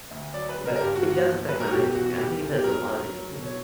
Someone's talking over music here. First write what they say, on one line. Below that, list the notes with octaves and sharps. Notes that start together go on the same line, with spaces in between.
But it does affect my mood. Yeah, I think it affects a lot of people's mood.
D2
F#3 D5
B4
C#3
A#4
A#4
G2 G4
F#4
A#3
F#4
G1
F#3 B4
A#4
F#4
B2 G4
G4
E2 F#4
F#4
G3 G4
E2
G4
F#3 A#4
F#3
F#3
B2
C#5